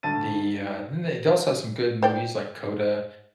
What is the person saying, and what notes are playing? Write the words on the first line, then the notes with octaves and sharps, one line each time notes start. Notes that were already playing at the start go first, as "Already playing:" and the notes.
the, uh the they also have some good movies like CODA
D2 A5 A6 D#7
G#2
C5 D5 G5